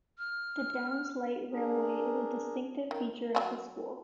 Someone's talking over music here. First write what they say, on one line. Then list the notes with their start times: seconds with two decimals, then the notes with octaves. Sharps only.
The Downs Light Railway is a distinctive feature of the school.
0.18 F6
1.52 D4 G#4 A#4
2.91 D#3
3.35 F#3 F4 F#4